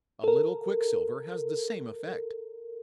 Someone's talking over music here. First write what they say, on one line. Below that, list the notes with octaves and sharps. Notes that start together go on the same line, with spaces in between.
A little quicksilver has the same effect.
A4 A#4